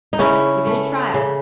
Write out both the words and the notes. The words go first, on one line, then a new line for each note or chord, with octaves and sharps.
Give it a Trial.
D#4
C#3 C#4 E4
A3
C#3